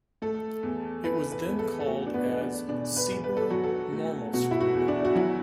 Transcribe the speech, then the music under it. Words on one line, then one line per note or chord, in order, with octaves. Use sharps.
It was then called as "Cebu Normal School".
A3 A4
E2
E3 B4
B4
E2
A4
A4
A3 F#4
D4
B3
E2 B3
D4
B2 D4
B4
E2
B4
A4
F#3 F#4
A4
A3
B2 F#4
E4
F#4
E2
D4
F#4
F#3 E4